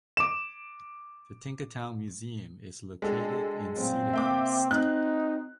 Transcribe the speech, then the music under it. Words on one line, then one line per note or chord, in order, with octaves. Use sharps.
The Tinkertown Museum is located in Cedar Crest.
D6 E7
G#3 D4 F#4 G4 A4
F#2 A#2 C4
C3 A#3 E5 G5 D6
C4 D#4 F#4 G#5 F#6